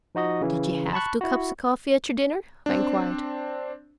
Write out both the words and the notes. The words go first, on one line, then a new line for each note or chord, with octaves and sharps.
"Did you have two cups of coffee at your dinner?" I inquired.
F3 D#4 F#4 D#5
C#3 E3
A5 B5 C#6 F#6
E4 F#4
C4 D4